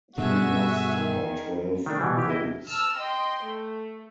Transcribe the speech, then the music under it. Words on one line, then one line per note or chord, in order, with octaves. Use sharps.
He lost by twelve votes.
G2 B2 D3 F#4 G#4 E5 G#5
D#3
D#3 A3 D4
B2 E3 G3
E3 G4
E4 D#5 G5
A5 E6 F6
D#5 G5 C6
A3